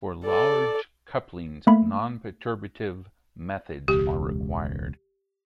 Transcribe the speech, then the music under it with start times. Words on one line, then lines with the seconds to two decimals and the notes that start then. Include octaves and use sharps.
For large couplings, non-perturbative methods are required.
0.25 A4 D5
1.67 A3 A#3 B5
3.88 E1 C#2 G4